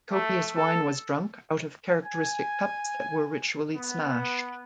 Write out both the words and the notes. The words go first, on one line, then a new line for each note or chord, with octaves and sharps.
Copious wine was drunk, out of characteristic cups that were ritually smashed.
A3
A4
G#5
B3